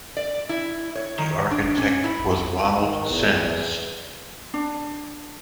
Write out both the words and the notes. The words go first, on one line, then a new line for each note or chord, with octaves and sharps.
The architect was Ronald Sims.
D5
E4
C#5
D#3
D4
C#4
E4
D#3
E2
D4